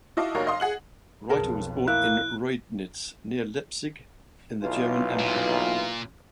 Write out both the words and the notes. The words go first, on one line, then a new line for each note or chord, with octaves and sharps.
Reiter was born in Reudnitz, near Leipzig in the German Empire.
E4 F#4 D#5 F5 A5 D6
F1 D#2 F#4 A#4 C#5 F5
D#5 F5 C6 D#6
G#4 F#5 F#7
B1 F2 G#4 A#4 A5
A#3 E4 F#6
B1 E3 F4
A#2